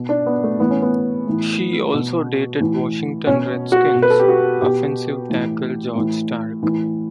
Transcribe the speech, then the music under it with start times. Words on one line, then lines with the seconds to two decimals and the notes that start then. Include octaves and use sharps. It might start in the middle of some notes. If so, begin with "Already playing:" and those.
She also dated Washington Redskins offensive tackle George Starke.
Already playing: B2
0.09 D4
0.26 B3
0.44 A3
0.59 A2 E3 B3
0.70 C#4
0.82 B3
1.27 A2 E3
1.93 B2
2.60 A2 E3
3.27 B2 C#4
3.72 F#4
3.95 B2
4.02 B4
4.10 A4
4.19 G4
4.28 F#4
4.62 B2 G4
5.29 A2 E3
5.95 A2 E3
6.63 A2 E3